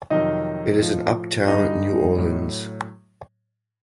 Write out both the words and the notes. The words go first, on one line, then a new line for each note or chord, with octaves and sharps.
It is in Uptown New Orleans.
F2 C3 D#3 F#3 D#4 D#5
A2 F3
G2 D3 G3 D#4 D#5
A2 F#3